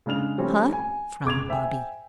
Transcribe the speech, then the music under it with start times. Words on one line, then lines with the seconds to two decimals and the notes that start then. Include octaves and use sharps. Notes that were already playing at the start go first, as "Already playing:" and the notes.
"Huh?" frowned Bobby.
0.06 C#3 G#3 D4 F6 F7
0.38 F3 G3 A3 C4 C#4
0.73 G#5
1.25 C#2 D6 G#6 F7
1.48 C5 E5 G5 G#5